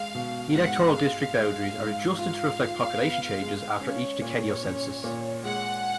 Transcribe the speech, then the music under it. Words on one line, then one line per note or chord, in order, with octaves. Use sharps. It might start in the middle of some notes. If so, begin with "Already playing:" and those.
Electoral district boundaries are adjusted to reflect population changes after each decennial census.
Already playing: G#3 F5
B2
G#2 F#5
G#3 F5
G#3
G#2
F4 F5
F4
B3
G#3
C#4 C#5
A#2
C#4
A#2
G#3 F#5